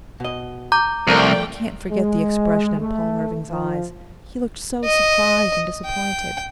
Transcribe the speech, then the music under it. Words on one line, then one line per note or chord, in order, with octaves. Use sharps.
I can't forget the expression in Paul Irving's eyes . . . he looked so surprised and disappointed.
B2 D#5
A#5 D6 G6
C2 F3 A3 A4 A#4 D5 G5
G#3
A3
F3
D#5
G5